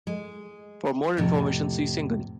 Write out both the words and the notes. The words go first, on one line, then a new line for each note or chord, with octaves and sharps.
For more information, see single.
G#3
F2 A2 C3